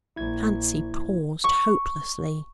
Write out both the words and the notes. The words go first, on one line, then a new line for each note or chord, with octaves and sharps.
Fancy paused hopelessly.
A#1 E4 G#6
C#6